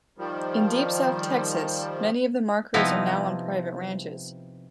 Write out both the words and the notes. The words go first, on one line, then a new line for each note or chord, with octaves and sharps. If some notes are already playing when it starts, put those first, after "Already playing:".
In deep South Texas, many of the markers are now on private ranches.
D#3 F3 G3
C3 F3 B3 D#4 E4